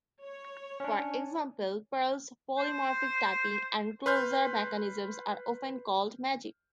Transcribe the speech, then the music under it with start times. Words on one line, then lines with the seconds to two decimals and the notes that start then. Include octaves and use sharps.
For example, Perl's polymorphic typing and closure mechanisms are often called "magic".
0.22 C#5
0.80 C#4 D4
2.58 C5
4.06 B4 C6 F6 G6